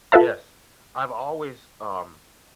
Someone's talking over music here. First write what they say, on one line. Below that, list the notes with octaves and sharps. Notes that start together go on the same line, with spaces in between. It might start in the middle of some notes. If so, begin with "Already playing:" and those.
Yes, I've always, um,
F4 A4 B4 E5 A5